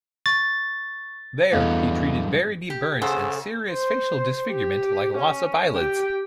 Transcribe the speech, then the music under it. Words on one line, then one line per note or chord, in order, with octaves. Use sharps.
There, he treated very deep burns and serious facial disfigurement like loss of eyelids.
C#6 A6
E2 G2 F#3 A4 D#5 F5
G4
C#3 G#4 A4 C5 F#5 E6
C5
G4
C#4
G4 G5